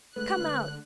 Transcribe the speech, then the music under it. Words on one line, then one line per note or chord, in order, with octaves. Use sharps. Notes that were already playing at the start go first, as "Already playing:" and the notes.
Come out!
D3 G#3 A3 B4 F#6